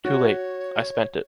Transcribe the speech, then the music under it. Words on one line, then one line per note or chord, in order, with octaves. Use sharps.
Too late. I spent it.
F#4 C#5